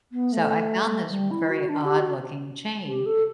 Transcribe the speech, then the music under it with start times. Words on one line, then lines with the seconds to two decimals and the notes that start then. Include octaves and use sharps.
So I found this very odd-looking chain,
0.12 B3
0.32 A3
1.11 G3
1.31 E4
1.50 F#4
1.69 D4
1.85 G4
1.99 F#4
2.87 G4
3.06 A4